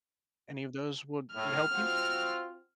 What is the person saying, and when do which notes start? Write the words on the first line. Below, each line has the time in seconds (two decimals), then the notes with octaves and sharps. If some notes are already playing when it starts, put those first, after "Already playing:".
any of those would would help you?
1.35 A2 F6
1.72 C4 F4 F#4